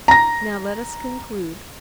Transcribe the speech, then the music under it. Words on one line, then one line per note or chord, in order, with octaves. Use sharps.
Now let us conclude.
A#5 A#6